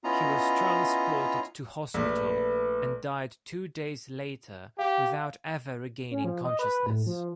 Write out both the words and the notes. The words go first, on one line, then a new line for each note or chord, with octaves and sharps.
He was transported to hospital and died two days later without ever regaining consciousness.
B3 C#4 E4 F4 D#5 A#5
A#1 A3 B4
G4 F5
C#4
F3
D#5
B4
A2
F3